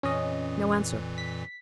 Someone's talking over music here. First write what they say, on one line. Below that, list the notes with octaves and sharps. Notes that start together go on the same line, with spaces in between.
No answer.
F2 A#2 E3 C#4 D#5
B6